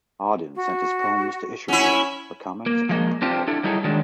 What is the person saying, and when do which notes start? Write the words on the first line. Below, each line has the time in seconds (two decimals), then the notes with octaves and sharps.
Auden sent his poems to Isherwood for comment and approval.
0.56 F#4
1.68 C#4 E4 F#5
2.66 A#3
2.89 F3 G#3 A#3
3.22 C4 D4 F4 G4 C5
3.48 D4 E4 A4
3.63 F#3 G3 D#4 E4 G#4 A4
3.84 D#3 F#3 G#3 D4